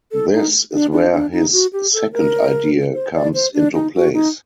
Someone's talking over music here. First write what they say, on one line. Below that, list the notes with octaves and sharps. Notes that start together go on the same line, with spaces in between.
This is where his second idea comes into place.
A4
D#4
D4
D4
D4
D#4
F#4
G4
A4
A#4
C5
D5
C5
D4
D#4
F#4
D#4